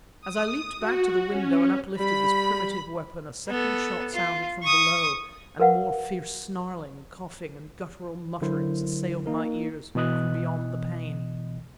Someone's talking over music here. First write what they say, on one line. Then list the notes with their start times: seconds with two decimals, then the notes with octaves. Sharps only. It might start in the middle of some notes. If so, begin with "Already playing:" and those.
As I leaped back to the window and uplifted this primitive weapon, a second shot sounded from below, and more fierce snarling, coughing, and guttural mutterings assailed my ears from beyond the pane.
0.21 D#6
0.79 F#4
1.29 C#4
2.00 G3 B5
3.48 B3 A4
4.13 F4
4.63 C#6 D#6
5.60 A#4 B4 F5 F#5
8.42 D3 F#3 E4 A#4 C5
9.26 A#3 D#4 A#4
9.95 B2 E3 D#5 D#6 F#6